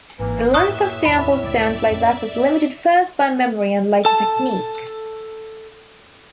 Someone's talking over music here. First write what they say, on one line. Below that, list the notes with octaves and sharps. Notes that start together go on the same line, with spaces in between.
The length of sampled sound playback was limited first by memory and later technique.
G#1 E3 A#3
F#2 A2 A#3 E5 C#6 D#6 F#6
E2 D#3 B5
C#2 A3 D5 E5
F2 C4
A4 A5